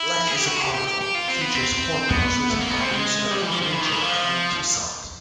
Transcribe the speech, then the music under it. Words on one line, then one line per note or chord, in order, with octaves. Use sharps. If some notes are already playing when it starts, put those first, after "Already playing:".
"Life Is a Carnival" features horn parts written by producer and arranger Allen Toussaint.
Already playing: E4
G#4
G4
F#4
G4
G4
G4
G4
F4
C4
B3
C4
B3
A3
A#3
B3
C4
G#3
G3
F3
E3
F3
F3
E3
D#3
E3
F3